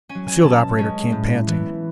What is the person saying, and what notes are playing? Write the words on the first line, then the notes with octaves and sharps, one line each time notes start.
The field operator came panting.
C#4 G#5
F#3
G#5
B2 A5
G#3 C#4
A2
E3 B3